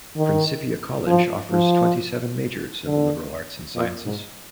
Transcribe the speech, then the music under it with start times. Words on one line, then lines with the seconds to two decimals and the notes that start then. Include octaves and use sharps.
Principia College offers twenty-seven majors in the liberal arts and sciences.
0.17 D#3
1.06 F3
1.51 F3
2.85 D3
3.75 A#2
4.05 G#2